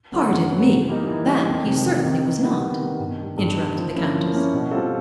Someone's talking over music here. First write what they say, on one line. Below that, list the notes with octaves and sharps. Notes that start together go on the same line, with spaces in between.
"Pardon me, that he certainly was not," interrupted the Countess.
D3 F#3 B3
F#2
D3 F#3 B3
E3
G3 A#3 D#4
E3
G3 A#3 D#4
F2
C3 D#3
F2
C3 D#3
D#3
G3 B3
D#3
G3 B3
G2
D#3 G3
G2
D#3 G3
F3
A#3 C#4 E4
F3
A#3 C#4 E4
B2
G3 C4 F4 A4